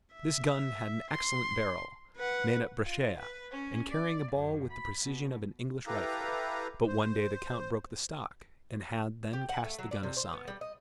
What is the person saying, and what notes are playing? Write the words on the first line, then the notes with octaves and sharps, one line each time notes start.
This gun had an excellent barrel, made at Breschia, and carrying a ball with the precision of an English rifle; but one day the count broke the stock, and had then cast the gun aside.
E5
C6
B4 F#5
F4
B4
C#4
D5
F#2
B5
B2
E4 G4 A4 B4 F5 A#5
C5
G4
F#5
A3
F#3
D4
C3
C5
B3
G3
D#5